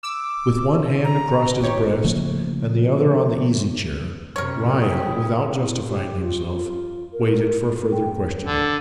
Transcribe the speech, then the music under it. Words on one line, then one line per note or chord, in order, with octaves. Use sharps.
With one hand across his breast and the other on the easy chair, Riah, without justifying himself, waited for further questioning.
D6 E6
A#5
G#1 G4 C#5
C#3 F3 A3 A#3
F#2 C3 A#4 C#5 F6
E4 G#4 G5
E4
G4
F4
F4
A#4
A#4
G5
D3